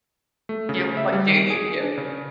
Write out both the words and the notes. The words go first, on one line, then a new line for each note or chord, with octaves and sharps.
You know, what do you do?
A3
C#3
E5
G3
D#3
G#4
D4
C#3